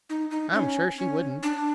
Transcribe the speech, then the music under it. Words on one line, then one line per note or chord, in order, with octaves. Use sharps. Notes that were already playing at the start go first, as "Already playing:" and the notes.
"I'm sure she wouldn't."
D#4
D#4
C#4
C#4
D4